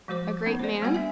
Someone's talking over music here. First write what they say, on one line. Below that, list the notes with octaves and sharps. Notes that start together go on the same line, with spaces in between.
A great man?
F3 G#3 F#4 C5 D6
A3 B3 C#4 D#4 A#4
C5 D5
G3 A#3 B3 F#4 F#5 G#5
D4 E5 G#5